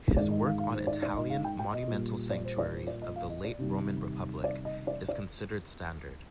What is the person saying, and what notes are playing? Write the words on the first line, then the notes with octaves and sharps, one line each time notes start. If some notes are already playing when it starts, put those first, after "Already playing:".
His work on Italian monumental sanctuaries of the late Roman Republic is considered standard.
G#2 D#3 G#3 D5
D#5
F5
F5
C5
D5
D5
D#5
F5
G5
G5
D#5
A#2 G3
D5
C5
D5
C5
D5
D#5
F5
D#5
D5
C3 D#3 G3
D5
D#5
D5
D5